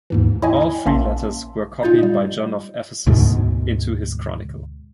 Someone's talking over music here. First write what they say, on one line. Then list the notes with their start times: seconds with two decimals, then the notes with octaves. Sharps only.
All three letters were copied by John of Ephesus into his chronicle.
0.10 D#2 G#2 E3
0.42 E4 C#5 D#5 G5 G#5 B5
0.85 A#1 A#3 C#4 E5 A5 C6
1.83 A#2 D#4 F4 D#5 G6 A6
1.99 G3 D#5
3.07 D2 G#2 B2 G#3